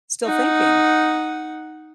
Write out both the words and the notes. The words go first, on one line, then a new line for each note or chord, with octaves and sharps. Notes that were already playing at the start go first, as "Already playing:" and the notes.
still thinking.
D#4 F#5